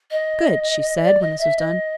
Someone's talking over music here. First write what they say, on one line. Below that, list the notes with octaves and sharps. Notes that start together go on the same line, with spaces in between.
"Good!" she said, when this was done.
D#5
D5
D#5
E5
D#5